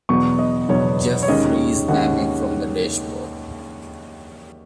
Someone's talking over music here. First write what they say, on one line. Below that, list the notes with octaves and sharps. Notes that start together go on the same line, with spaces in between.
Jeff frees Amy from the dashboard.
E2 B2 F#3 B3 C#6
D#5
E2 B2 F#3 B3 C#5
C#5
D#2 D#3 G#3 C#4 D#5
D#2 D#3 G#3 C#4 F#5